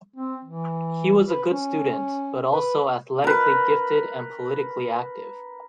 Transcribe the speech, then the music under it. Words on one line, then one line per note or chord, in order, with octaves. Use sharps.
He was a good student, but also athletically gifted and politically active.
C4
E3
B4
C#4
B4
A#4 B4